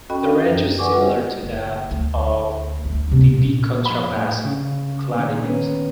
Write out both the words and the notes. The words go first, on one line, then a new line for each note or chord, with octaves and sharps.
The range is similar to that of the B contrabass clarinet.
C#4 F#4 A4 D#5 G5 B5
C#4 D5 F5
F#2
B4 D5 F#5 G#5 C#6 D6
G3 F4 F#4 B4 E5 F#5
F#1
D2
D2 E4
C3 D4
A#2 D#3
F2 B5
A2
C#3
A#2 D#3
D#3 B3 C#4